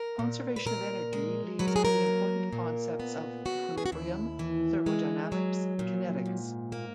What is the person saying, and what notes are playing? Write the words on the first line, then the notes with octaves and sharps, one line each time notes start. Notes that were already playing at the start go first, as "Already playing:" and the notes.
Conservation of energy leads to the important concepts of equilibrium, thermodynamics, and kinetics.
Already playing: A#4
A#2
B4
A#2 A#4
G#3
F#3 B4
A#4
G#4
A#4
A#3
A#2
B3
C#3 F#4
G#4
F#4
D#2 E4
E3
G#3
F#3
A#2
G#2
A#3